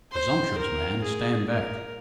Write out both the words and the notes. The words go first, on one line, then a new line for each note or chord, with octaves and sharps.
Presumptuous man, stand back.
C5
A#4
G#4
A#4